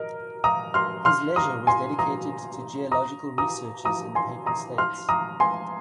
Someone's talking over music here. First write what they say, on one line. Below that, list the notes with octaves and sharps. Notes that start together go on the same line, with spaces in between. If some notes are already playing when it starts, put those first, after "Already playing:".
His leisure was dedicated to geological researches in the papal states.
Already playing: A#4 D#5
A#5 D#6
C6 F6
C6 F6
A#5 D#6
G#5 C6
A#5 D#6
A#5 D#6
A#5 D#6
A#5 D#6
G#5 C6
A#5 D#6
C6 F6
A#5 D#6
G#5 C6